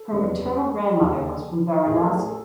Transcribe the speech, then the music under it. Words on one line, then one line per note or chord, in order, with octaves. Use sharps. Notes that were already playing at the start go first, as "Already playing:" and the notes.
Her maternal grandmother was from Varanasi.
Already playing: A4
F#1 E2 C3
G4
D#2 D#3 G#4
A1 A2 E3 G#4
A4
G#4
A4